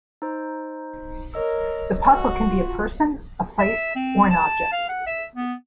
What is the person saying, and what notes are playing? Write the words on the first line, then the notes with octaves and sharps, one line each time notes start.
The puzzle can be a person, a place or an object.
D#4 C5
A#4 C#5 D#5 E6
F#4
F4
E5
C4
A5
F5
F#5
E5
B3